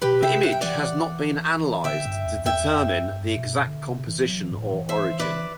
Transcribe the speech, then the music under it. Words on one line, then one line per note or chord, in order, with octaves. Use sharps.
The image has not been analyzed to determine its exact composition or origin.
B2 G4 B4
C3 E5 G5
F#5
G5
E3 D5 F#5
D3 E5 G5
G2
E2
E2 E5 G5
F#2
G2
B2
D3
C3
E3
F#3
E3
G2
A2
E3
C5 E5
B4 D5